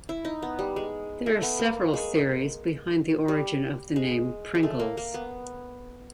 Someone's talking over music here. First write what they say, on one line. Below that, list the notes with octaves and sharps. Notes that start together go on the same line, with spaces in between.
There are several theories behind the origin of the name "Pringles".
E4
D#4
B3
G3
G#3
A3
B3
A#3
G#3
G3
G#3
G#3
A3
A#3
A#3
B3